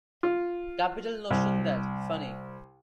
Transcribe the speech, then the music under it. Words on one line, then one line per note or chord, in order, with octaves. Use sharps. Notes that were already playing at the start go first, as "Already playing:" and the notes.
Capital notion that — funny.
F4
C2